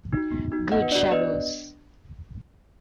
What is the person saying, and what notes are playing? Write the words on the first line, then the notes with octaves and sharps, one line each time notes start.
Good Shabbos.
D#4 F#4
B3
D#4 F#4
B3 D#5 F#5
B4
D4 F#4 D5
D5
B3 B4 D#5
D4